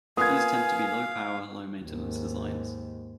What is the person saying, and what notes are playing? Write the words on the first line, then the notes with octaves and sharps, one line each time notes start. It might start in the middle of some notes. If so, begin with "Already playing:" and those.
These tend to be low power, low maintenance designs.
A#3 B3 F4 F5 G#5 D#6 G#6
D#2 G#2